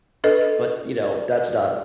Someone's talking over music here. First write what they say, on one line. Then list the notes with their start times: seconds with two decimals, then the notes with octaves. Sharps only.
but, you know, that's not
0.24 D4 A4 B4 D#5